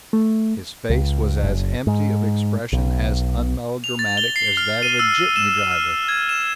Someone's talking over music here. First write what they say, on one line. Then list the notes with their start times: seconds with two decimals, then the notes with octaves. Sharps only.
His face was as empty of expression, as unmelodramatic, as that of a jitney driver.
0.13 A3
0.90 C#2
1.43 F#1
1.87 G#2
2.72 B1
3.84 F7
3.99 A6
4.17 G7
4.36 C7
4.57 F6
4.83 D#7
4.99 E6
5.36 E7
5.71 F6
6.08 G#6
6.29 E7